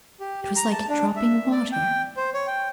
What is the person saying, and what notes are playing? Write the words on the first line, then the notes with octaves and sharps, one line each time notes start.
It was like dropping water.
G4
G4
A#5
A5
D4
E5
D5
G5
C5
C#5
G5